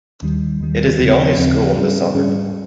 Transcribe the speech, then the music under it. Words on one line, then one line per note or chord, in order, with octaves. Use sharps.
It is the only school in the suburb.
D#2 D#3 G3
D#2 D#3 G3
D#2 C#3 F3 C4
D#2 C#3 F3 C4
G#2 G3 C#4 G#4
G#2 G3 C#4 G#4